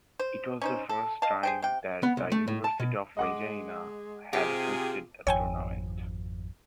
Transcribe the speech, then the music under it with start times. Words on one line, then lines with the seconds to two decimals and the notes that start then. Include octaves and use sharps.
It was the first time that the University of Regina had hosted the tournament.
0.19 C5
0.61 C#4 D#4 C5
0.89 A4
1.22 D#5 F5 A5
1.43 G#4 C5 G5
1.62 C3 G5
2.03 B3
2.17 C2
2.32 A3
2.48 A2
2.64 A5
2.80 B2
3.17 G#3 D#5 F#5 D6
4.33 C3 F4 G4 G#4
5.27 G#1 F2 C#5 G5 G#5